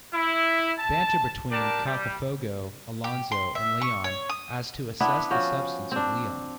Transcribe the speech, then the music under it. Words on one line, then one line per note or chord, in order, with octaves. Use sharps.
Banter between Cacafogo, Alonzo and Leon as to assess the substance of Leon.
E4
A5
D4 G4 A#4 D5 A5
G3
G4
C6
E5
C#6
C#5
D#6
B3 D4 E4
F3 C#4 F#4 G5
C4 D4